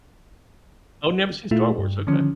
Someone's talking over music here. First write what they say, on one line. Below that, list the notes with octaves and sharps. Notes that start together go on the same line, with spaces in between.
Oh, never seen Star Wars, okay.
A#2 A3 E4 F4
G2
D3 D#3 F3 C#4